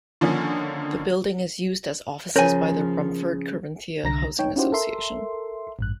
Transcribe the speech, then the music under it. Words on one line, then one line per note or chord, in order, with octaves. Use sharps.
The building is used as offices by the Bromford Corinthia Housing Association.
D3 D#3 F3 A#3 C#4
C#3 F3 A#4 C#5 G#5
C2 D3 A#5 A#6
D#4 C#5 G5
C#4 D#4 E4 F#4 G4 C5
A4 A#4 E5 C6
A1 G2 F#6